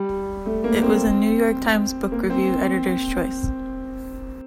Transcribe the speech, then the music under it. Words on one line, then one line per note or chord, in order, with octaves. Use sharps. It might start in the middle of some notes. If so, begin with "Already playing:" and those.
It was a "New York Times Book Review" editors choice.
Already playing: G3
A3
A#3
C4
A#3
C4